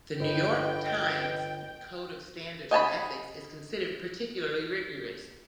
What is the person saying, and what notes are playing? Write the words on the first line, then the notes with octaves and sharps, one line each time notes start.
The "New York Times" code of standards and ethics is considered particularly rigorous.
G1 B4 D#5 G5 A#5
D#5 G#5 A5 B5